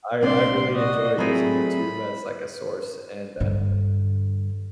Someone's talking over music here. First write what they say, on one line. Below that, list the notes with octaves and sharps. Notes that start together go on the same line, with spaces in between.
I I really enjoy using YouTube as, like, a source, and, uh,
C2 A#2 A3 C4 D4 D5 C6
F#4 D5 D#5
F#3 A3 C4 F4 G#4 A#4 B5
G2 D3